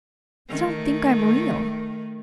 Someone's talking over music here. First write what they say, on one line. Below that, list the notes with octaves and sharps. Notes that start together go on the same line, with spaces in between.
They don't think I'm real.
D#3 A3